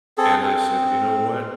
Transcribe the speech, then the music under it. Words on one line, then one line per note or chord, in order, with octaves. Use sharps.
And I said, "You know what?
C4 G#4 A4
C4